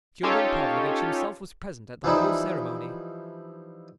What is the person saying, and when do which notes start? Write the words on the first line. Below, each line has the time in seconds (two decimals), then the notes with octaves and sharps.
Fyodor Pavlovitch himself was present at the whole ceremony.
0.23 C#4 D#4 F4 G4 A4 C#5
2.04 E3 F3 G3 D#4 E4